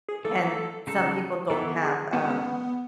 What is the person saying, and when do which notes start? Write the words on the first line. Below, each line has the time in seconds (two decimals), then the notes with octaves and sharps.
and some people don't have, um
0.08 G#4
0.25 E3 A3 D#4 A4
0.87 C#3 G#3 D#4 A4
1.50 E3 B3 E4 A4
1.81 G#4
2.13 D#3 G#3 B3 C#4 F#4